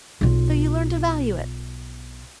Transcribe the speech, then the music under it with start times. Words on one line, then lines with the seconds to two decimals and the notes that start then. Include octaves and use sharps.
So you learn to value it.
0.21 B1 F4